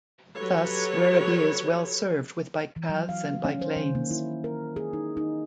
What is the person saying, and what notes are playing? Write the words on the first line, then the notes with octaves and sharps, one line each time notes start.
Thus Werribee is well served with bike paths and bike lanes.
F#3 G4 A4 B4 C#5
E3
F#3
F5
C#4
C5
D#3
A#3
E4
A#4
G#4
D#4
D#4